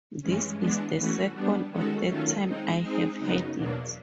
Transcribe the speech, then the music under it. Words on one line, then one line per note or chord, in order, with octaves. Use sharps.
This is the second or third time I have had it.
G2 E3 G#3 C#4
E3 G#3 B3 D4
E3 A3 C#4 F#4
G3 B3 D4
D#3 G#3 C#4 F#4 A4
D#3 F#3 A3 C#4 F4
G#3 C4 D#4
G#3 C4 D#4 G#4
F#2 C#3 F#3 B3 D#4
E2 B2 F#3 A#3 D4